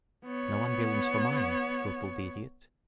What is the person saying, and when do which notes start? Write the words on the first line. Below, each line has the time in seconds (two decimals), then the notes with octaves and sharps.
"No ambulance for mine," chortled the Idiot.
0.25 B3 C#5